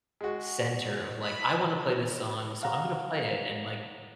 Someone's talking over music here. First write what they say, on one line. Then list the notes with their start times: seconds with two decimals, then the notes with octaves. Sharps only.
center of, like, "I wanna play this song, so I'm gonna play it," and, like,
0.21 G#3 F#4
1.23 B5
2.63 F5 F#5 A#5